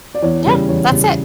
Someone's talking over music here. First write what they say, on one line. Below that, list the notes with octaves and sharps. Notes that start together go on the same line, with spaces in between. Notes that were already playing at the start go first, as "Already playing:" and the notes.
Yeah, that's it.
D5
E2 C#5
C#3 G3
E2 C#5
C#3 G3